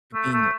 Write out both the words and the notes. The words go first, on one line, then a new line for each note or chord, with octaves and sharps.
you're being
A3
A3